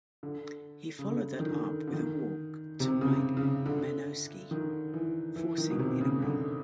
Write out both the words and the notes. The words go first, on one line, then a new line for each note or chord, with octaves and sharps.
He followed that up with a walk to Mike Menosky, forcing in a run.
D3
C#3
D3
D#3
D3
D3
D#3
C3
C#3
C3
C#3
D3
D#3
E3
E3
D#3
B2
C3
C#3
D3